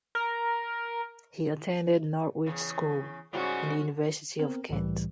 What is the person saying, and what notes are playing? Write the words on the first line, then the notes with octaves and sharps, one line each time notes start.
He attended Norwich School and the University of Kent.
A#4
E2 C#3
G#2 C#3 G3 C#4 F#4
B3 C4 A#4
C2 A2 E3 G3